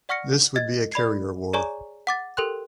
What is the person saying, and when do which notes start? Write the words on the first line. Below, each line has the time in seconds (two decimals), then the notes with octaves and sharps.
This would be a carrier war.
0.09 D5 F#5 C#6 F6 A#6 C#7
0.56 D#5 G#6 A6
0.92 D5 B5 G#6 C7
1.53 G#4 C#5 D5 G#5 A#5 C#6
2.07 F#5 D6 A6
2.37 G4 A4 A#4 G5 C6 F#6